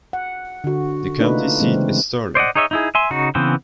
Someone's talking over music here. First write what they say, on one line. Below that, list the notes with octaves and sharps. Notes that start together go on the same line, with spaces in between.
The county seat is Sterling.
F#5
D3 F#4
A3 A#3 D4 D#4 F4 B4
C#3 E3 G#3 A3 C4
C5 D5 D#5 F#5
D#4 G#4 C#5 D#5 E5
D#4 E4 G#4
E5 G#5 C6
C#3 D#4 F#4
C#3 E3 B3 C4 C5